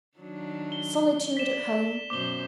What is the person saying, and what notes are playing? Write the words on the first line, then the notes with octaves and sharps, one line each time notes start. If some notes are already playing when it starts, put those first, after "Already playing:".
Solitude at home!
D#3 F#3 D4
G7
D5 B6 E7
F#2 B2 C5 D6 G7